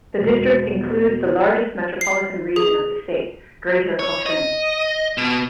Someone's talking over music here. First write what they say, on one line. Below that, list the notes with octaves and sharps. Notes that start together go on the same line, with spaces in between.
The district includes the largest metropolitan region of the state, Greater Cochin.
E1 B2
C7
G#4
C#5
D#5
B2